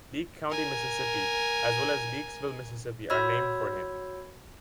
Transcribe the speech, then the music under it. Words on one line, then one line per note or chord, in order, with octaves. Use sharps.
Leake County, Mississippi, as well as Leakesville, Mississippi are named for him.
A#4 G#5
F#4 C#5 B5 E6 G#6